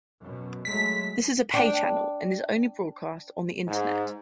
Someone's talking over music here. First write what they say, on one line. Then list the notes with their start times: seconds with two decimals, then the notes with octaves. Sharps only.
This is a pay channel, and is only broadcast on the Internet.
0.21 F#2 B2
0.65 F#3 G#3 A3 B6
1.54 D4 G5
3.67 G#2